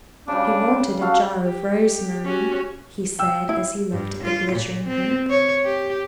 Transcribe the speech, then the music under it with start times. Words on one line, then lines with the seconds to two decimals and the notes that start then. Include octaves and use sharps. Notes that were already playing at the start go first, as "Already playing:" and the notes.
"She wanted a jar of rosemary," he said as he looked at the glittering heap.
0.28 C#3 G3 D4
1.01 F#4 A4 F5
1.43 G4
2.25 C#4 F#4
3.19 G5 E6
3.49 E4
3.93 G2
4.24 F4
4.53 A#2
4.87 C4
5.30 C#5
5.65 G4